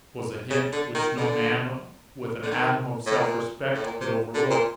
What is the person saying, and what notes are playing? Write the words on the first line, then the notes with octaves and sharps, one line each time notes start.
It was a hint which no man with an atom of self-respect could overlook.
C#3
D3
D#3
D3
D3
D#3
A2
A#2
A2
A#2
C3
D3
A#2